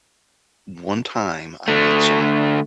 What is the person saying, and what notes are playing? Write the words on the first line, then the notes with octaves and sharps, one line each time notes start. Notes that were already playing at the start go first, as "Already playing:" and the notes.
one time, I made some
D3 A3